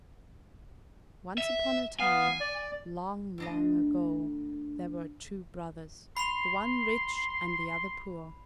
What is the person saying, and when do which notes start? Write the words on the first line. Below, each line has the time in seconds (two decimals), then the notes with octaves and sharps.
Once upon a time, long, long ago, there were two brothers, the one rich and the other poor.
1.38 E5
2.00 B3 F5 G#5
2.40 D5
3.38 D2 D4 D#5
6.17 B5 C6 C7 F7